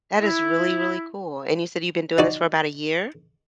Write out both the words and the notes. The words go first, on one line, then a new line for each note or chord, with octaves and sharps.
That is really, really cool. And you said you've been doing this for about a year?
E4
D#4 F#4 D5